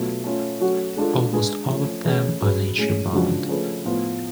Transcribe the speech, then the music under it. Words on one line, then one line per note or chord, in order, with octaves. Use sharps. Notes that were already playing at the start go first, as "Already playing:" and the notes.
Almost all of them are nature bound.
Already playing: B2 F#3 A3 F4
A3 C#4 F4
F#3 A3 C#4 F#4
G#3 D4 F4 A4
G#3 D4 G#4 B4
F3 A3 C#4
A3 C#4 G#4 B4
F#3 C#4 G#4 B4
A2 G#3 C#4 G#4
C#3 F3 G#3 D4 F#4
F3 A3 C#4 G#4 B4
A2 F3 B3 F4